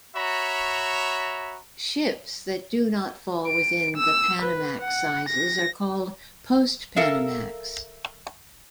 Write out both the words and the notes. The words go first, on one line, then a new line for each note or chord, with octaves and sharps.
Ships that do not fall within the Panamax-sizes are called "post-Panamax".
F#4 C#5 E5 A#5 B5
D7
E6
B4
F#5
A#6
A4 A#4 E5 F5